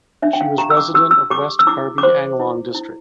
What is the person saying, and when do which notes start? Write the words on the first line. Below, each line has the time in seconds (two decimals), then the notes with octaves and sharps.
She was resident of West Karbi Anglong district.
0.22 D4 E5
0.33 G5
0.41 F5
0.58 G4 A#5
0.70 E6
0.77 D6
0.94 G4 E6
1.11 E6
1.30 G4 D6
1.59 E6
1.67 E4 D6
1.98 D6
2.03 C5 C6
2.39 E4
2.75 E4